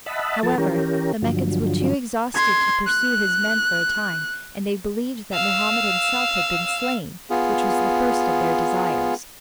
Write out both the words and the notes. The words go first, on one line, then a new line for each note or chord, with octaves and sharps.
However, the Meccans were too exhausted to pursue his men for a time and they believed that Mohammed himself had been slain, which was the first of their desires.
D#5 E5 F#5 A5 B5
F3 A4 A5
E3 C#4 G4 A#4
G2 D3 F3 F#3
C6 G#6
F#6
F5 E6
B3 F4 G#4